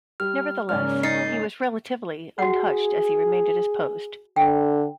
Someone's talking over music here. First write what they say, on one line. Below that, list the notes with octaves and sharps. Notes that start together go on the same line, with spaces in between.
Nevertheless, he was relatively untouched as he remained at his post.
G3 F6
G#2 C#3 A#3 C#4 D5 F6
D#4 A6 C7
F#4 G#4 F#5
D3 G5